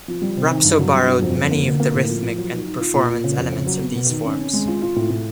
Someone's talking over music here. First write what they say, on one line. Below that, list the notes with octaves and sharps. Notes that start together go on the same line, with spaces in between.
Rapso borrowed many of the rhythmic and performance elements of these forms.
F3
G3
C3
D#3
G2
F#3
G2
F#3
F2
F2
A#3
D3
A#3
A2
F3
F3
F#3
D#4
D#4
F4
A#2
A#2
C#3
F2
C#3
F#3
B3
B2
D#3
C#4
C#4
G#3
F4
F4
A2
A2